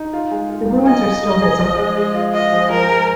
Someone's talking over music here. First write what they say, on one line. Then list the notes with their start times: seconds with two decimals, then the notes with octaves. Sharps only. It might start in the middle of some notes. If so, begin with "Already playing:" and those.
The ruins are still visible.
Already playing: D#4
0.13 F4
0.31 G#3
0.50 F4
0.68 F4
0.87 F4 D#5
1.04 G#4
1.23 G#3
1.42 G#4
1.59 F3
1.78 G#3
1.97 G#3
2.15 F4
2.33 F4 D#5
2.52 F3
2.70 F3 A#4
2.88 G#3